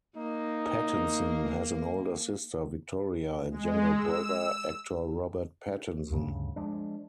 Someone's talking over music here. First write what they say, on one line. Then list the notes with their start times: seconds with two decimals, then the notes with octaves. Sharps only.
Pattinson has an older sister, Victoria, and younger brother, actor Robert Pattinson.
0.17 A#3 D#4
3.51 G#3
3.94 E6
6.11 D2 G2 C#3
6.56 F3 G#3 D4